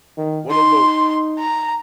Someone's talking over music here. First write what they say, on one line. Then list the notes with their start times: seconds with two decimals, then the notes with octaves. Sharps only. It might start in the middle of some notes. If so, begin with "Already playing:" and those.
One of the
0.18 D#3
0.51 D#4 C6
1.39 A#5